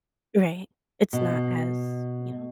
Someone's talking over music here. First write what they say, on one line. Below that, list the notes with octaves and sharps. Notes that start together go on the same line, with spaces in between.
Right. It's not as, you know,
B2